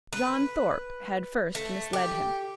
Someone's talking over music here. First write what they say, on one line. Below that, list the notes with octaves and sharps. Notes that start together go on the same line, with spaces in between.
John Thorpe had first misled him.
B4
A3
G4